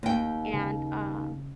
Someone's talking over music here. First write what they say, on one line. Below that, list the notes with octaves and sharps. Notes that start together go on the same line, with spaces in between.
and, um,
D#2 G5
C#3